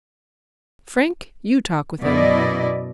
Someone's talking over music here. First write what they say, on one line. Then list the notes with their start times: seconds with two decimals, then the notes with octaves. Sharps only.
Frank, you talk with him.
2.02 F#2 B2 E4 D5 D#5